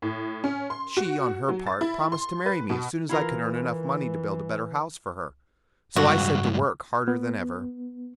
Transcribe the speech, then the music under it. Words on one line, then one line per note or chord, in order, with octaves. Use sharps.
She, on her part, promised to marry me as soon as I could earn enough money to build a better house for her; so I set to work harder than ever.
A2
C#4
C6
F#4
F#3
A6
E4
C6
B4
B2
E3 E4 F4 A#4
C#2 G2 F#4
B3